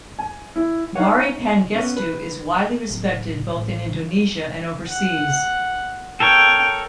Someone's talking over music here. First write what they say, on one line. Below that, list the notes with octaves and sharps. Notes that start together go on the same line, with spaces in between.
Mari Pangestu is widely respected both in Indonesia and overseas.
G#5
E4
D#4 C#5 F5 F#5
B3 C#4
B4
D1
A1
F#5
A4 A#4 C#5 G5